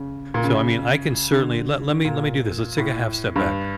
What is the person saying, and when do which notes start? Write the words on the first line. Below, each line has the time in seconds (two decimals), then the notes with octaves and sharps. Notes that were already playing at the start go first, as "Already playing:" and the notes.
So, I mean, I can certainly let let me let me do this. Let's take a half step back.
Already playing: C#3
0.34 A#2
0.44 C#3
1.32 D3
1.90 D3
2.05 A#2
2.78 A2
3.36 G2